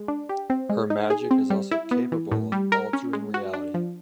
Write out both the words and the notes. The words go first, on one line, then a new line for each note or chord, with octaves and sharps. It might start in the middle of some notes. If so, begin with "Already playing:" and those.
Her magic is also capable of altering reality.
Already playing: G#3
D4
G4
C4
G#3
D#4
G#4
C4
G3
E4
B3
E3
A2
G3
A#4
C#4
G#3
F#4
D4
F3